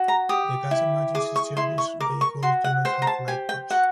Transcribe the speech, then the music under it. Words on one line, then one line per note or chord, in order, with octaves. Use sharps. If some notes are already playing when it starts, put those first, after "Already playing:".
The gas emergency service vehicles do not have lightbars.
Already playing: F#4
A#5
G4 D#6
E4
G#4 D6
C#6
E4 C6
C#6
A#4 D6
C#6
F#4 C6
F#5
C5 G5
A#5
A5
G4 G#5
G5
F#4 F#5